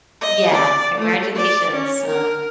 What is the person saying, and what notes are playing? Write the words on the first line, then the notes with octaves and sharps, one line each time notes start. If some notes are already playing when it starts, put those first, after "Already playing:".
Yeah, congratulations on
D#5
D5
A3
D5
C#4
A#4